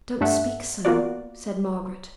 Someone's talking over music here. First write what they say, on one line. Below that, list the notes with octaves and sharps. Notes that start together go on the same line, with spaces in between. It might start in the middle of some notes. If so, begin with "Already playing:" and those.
'Don't speak so!' said Margaret.
G2 A3 E5 F#5
A#3 B3 F4 F#4 D5